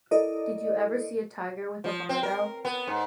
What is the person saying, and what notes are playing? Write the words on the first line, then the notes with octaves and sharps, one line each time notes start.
Did you ever see a tiger with a barbell?
E4 A4 A#4 D5 D#5
F3
C4
A#4
B3
G#2